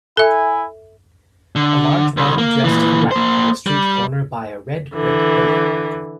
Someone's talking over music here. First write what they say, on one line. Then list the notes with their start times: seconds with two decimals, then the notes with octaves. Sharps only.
A large man dressed in black on a street corner by a red brick building.
0.17 E4 A4 E5 G#5
1.56 D3
2.17 C2
2.38 A#3
2.64 A#2 E3
3.11 A#3 C5
3.67 G3
4.95 D3 E3